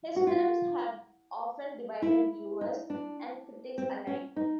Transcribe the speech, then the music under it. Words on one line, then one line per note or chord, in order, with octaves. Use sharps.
His films have often divided viewers and critics alike.
F#4
F4
E4
D#4
D4
C4
C#4
D#4